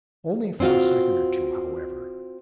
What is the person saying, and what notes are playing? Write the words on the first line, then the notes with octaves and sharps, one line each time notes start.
Only for a second or two, however.
C4 C#4 F4 F#4 F5